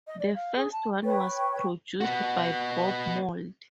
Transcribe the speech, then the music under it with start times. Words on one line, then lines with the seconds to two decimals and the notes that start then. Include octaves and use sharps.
The first one was produced by Bob Mould.
0.07 D#5
0.20 D5
0.35 F5
0.56 G#4
0.72 A5
1.03 B4 C#5 G5 C#6
2.01 B3 F#4